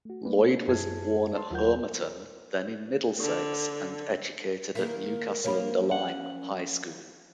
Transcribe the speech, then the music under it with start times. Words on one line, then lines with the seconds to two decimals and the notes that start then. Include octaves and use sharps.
Lloyd was born at Homerton, then in Middlesex, and educated at Newcastle-under-Lyme High School.
0.05 A3 F#4
0.26 A3 A#3 D4 B4
0.68 F#2 E4 G#4 A5 G#6
1.35 A5 C6
1.51 D#2 F#3 F4 A#4 F#5 G6
3.19 D3
4.75 D#3 A#3 E4 A#4
5.44 F3 A#3 C#5 B5
5.91 C#4 F#5